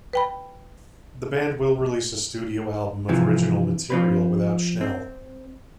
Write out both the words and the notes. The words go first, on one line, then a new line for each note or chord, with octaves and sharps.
The band will release a studio album of original material without Schnell.
B4 G5 B5
C3 E3 F3
F3 C4 B4
C4